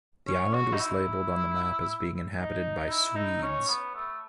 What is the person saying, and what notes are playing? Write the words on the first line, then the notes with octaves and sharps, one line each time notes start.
The island was labeled on the map as being inhabited by Swedes.
C#4
F#4
D#4
E4
D#4
E4
D#4
C#4
B3
A3